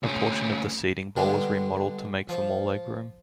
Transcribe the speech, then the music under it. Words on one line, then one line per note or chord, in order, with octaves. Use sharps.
A portion of the seating bowl was remodeled to make for more legroom.
D2 C#4
D3 G3 G#3 B3
F3